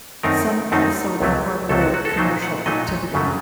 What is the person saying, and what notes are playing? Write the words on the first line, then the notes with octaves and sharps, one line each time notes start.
Some also incorporate commercial activity.
F#2 D#3 A3 C4 D#4 A#4
F#2 D#3 A3 C4 D#4
C#2 C3 F#3 A3
C#2 C3 F#3 A3 A4
F#4
F#4
A4
A#2 F#3 A3 D#4 C5
F#5
A#2 F#3 A3 D#4 D#5
F#2 C#3 F#3 A3